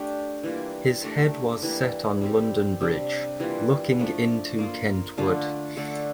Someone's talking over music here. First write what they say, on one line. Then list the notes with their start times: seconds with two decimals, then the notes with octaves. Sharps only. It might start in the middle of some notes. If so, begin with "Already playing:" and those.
His head was set on London Bridge, 'looking into Kentward'.
Already playing: A3 D4 G4
0.43 E3 G3 A#3 F4
1.03 A3 D4 G4 A#4
1.63 E3 G3 A#3
2.21 G3 C4 G4
2.81 C3 G3 D4
3.40 E3 G3 A#3 F4
4.00 F3 A3 D4
4.59 A#3 F4 A#4
5.18 D3 A3 D4 F4
5.77 D3 A3 D4 A4